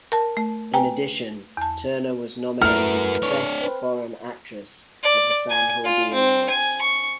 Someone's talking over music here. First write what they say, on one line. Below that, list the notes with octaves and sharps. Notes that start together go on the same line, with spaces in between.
In addition, Turner was nominated for Best Foreign Actress at the Sant Jordi Awards.
A#4 A5
A3
B4 G5 G#5 A#5
E2 A5
A3 E4 F#4 A#4 B4 F6
D4 C#5
C4 B4
D5
G#5
F4
C4
G#5
C#6